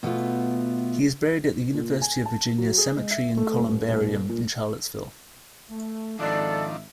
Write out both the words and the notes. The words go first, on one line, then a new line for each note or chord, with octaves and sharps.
He is buried at the University of Virginia Cemetery and Columbarium in Charlottesville.
B2 A3 B3 F4
A#2
G#5
A5
F#3
G#4
G#3
E5
A3
D#1
D#1
A#2
A3
G#1 D#3 F3 D4 D#4 A4 D5 E5